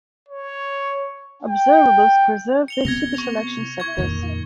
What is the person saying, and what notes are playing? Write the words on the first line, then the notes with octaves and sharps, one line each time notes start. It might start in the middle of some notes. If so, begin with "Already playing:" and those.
Observables preserve the superselection sectors.
C#5
G5
C#7 F7 G7
C3 B3 C4 G#6 A#6 F7
C#6 F7
C#6 G#6
F2 A#2 D#3